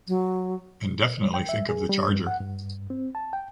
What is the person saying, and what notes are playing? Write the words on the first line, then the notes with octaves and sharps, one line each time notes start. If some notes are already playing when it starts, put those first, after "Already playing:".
And definitely think of the charger!
F#3
G5
E5
G#4
G3
G2
F#5
G2
C4
A5
G5